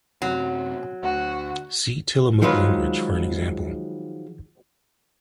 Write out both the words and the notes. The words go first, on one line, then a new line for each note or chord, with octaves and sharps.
See Tillamook language for an example.
F#2 C3 F#3
D2 F#4
D#3 F3 F#3 G#3 B4